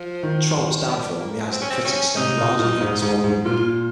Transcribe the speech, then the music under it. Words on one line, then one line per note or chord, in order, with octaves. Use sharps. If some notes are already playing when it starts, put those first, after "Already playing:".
Trollope's downfall in the eyes of the critics stemmed largely from this volume.
Already playing: F3
D#3
F3
G3
A#3
C4
C#4
C4
C#4
C3 D#4
A#2
A#2
G#2
G#2
G#2
A#2 F4